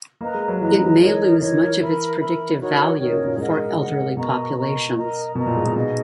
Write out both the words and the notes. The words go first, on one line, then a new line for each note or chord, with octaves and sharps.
It may lose much of its predictive value for elderly populations.
A#3 B4 D#5 A#5
G#3
F#3
E3 B4 D#5 A#5
D#4 A#4 C#5
E3 D#4 A#4 C#5
A#4 E5 B5
A#4 E5 B5
D#4 F#4 A#4 C#5
D#3 D#4 F#4 A#4 C#5
C#3
A#2
G#2 A#4 D#5 F#5
A#4 D#5 F#5
B2 A#4 D#5 A#5 C#6
A#4 D#5 A#5 C#6
A#4 D#5 A#5
B2 A#4 D#5 A#5
A#2
G#2
A#2
B2 D#4 G#4 D#5 F#5